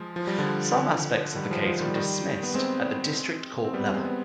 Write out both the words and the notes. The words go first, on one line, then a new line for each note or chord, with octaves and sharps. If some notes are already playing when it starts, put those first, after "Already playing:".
Some aspects of the case were dismissed at the District Court level.
Already playing: F3 G#3
F3
G3
D3 F3
D3 F3
D#3 G3
F3 G#3
F3 G#3
D#3 G3
D#3 G3
B3
G#3 C4
C4
G3 B3
G#3 C4
B3